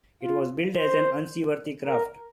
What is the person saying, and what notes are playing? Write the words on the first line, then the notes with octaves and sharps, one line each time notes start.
It was billed as an unseaworthy craft.
F4
C5
A#4